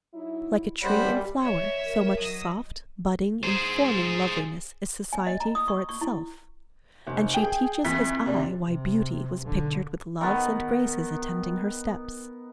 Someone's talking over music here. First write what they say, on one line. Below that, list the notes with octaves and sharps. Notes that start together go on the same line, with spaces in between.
Like a tree in flower, so much soft, budding, informing loveliness is society for itself; and she teaches his eye why Beauty was pictured with Loves and Graces attending her steps.
F#3 D#4 E4
F#2 G3 C5 F#5 B5
C#5 D#5 E5
A#4
F#3 D#5 D#6 E6
G#4 C5
G#5
D#5
A#5
D#6
C#6
C#6
E4
F1
G#4 G5
F2 E3 B6
C3 D4
C3
B1 D3
D#3 B3